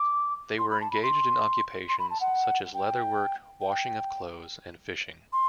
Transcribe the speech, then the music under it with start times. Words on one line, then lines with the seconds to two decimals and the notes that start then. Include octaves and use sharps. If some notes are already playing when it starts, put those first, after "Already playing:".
They were engaged in occupations such as leather work, washing of clothes and fishing.
Already playing: D6
0.59 C6
0.70 B5
0.81 A5
0.91 B5
1.03 C6
1.89 C6
1.99 B5
2.10 A5
2.21 F#5
2.74 G5
3.61 G5
5.33 C6